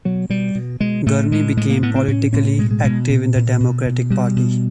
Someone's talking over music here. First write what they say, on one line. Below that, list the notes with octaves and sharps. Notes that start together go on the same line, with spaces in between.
Gurney became politically active in the Democratic Party.
B2 F#3
B2 G3
B2
B2 G#3
A2 A3
A2 G#3
A2 G#3
A#3
A2 B3
C4
A2 C#4
A2 C#4
B2 G#3
G#3
B2 G#3
A#2
A#2
B2
B2
B2 G3
B2